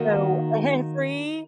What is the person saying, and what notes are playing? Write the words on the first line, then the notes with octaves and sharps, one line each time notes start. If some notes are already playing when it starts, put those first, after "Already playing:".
So, every
Already playing: D#3 A#3 D#4 F#4